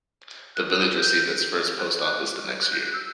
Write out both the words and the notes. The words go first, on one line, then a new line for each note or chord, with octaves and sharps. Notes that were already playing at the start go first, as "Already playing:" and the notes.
The village received its first post office the next year.
F#6
G6
F#6
F#6
G6
F#6
E6